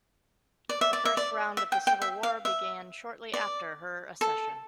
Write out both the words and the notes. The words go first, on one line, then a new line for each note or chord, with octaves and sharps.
The first round of the civil war began shortly after her accession.
D5
E5
D5
E5
D5
E5
G5
G5
E5
F5
E5
D5
A4